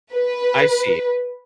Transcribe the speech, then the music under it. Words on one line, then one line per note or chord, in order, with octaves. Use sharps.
I see.
B4